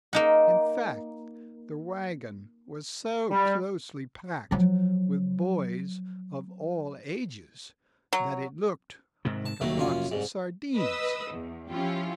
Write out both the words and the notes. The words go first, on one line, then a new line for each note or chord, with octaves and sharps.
In fact the wagon was so closely packed with boys of all ages that it looked like a box of sardines.
A#3 D#4 F#5
G3
F3 F#3
F#3
G#2 C3 D#3
A5
F1 D#2 F#3 A3 A#3
F#2 C#4 F4
C2 G#2
B4 D#5 D#6 E6
E2
F3 C#4 E4 F4 G4